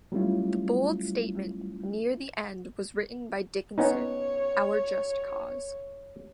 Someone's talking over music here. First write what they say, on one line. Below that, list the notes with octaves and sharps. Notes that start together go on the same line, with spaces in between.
The bold statement near the end was written by Dickinson: Our cause is just.
F#3 G3 A3 C#4 E4 F4
B3 C#4 D#4 C#5